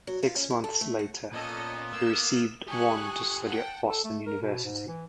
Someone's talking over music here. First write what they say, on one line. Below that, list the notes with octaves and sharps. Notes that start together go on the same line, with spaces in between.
Six months later she received one to study at Boston University.
F#3
F4
C#4
E4
A4
A3
F#5
A#2 B3 C#4 A4 D#5
A#3 E6
G4 A4 G#5 C#6 D#6 F#6
F#5 G5 A5
A4
A3
A#4
B2
G#2
E3